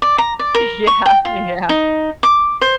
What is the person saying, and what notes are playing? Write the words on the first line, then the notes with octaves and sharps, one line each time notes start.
Yeah, yeah.
D5
A#5
D5
A#4
C#6
G5
F4
D#4
D6
C5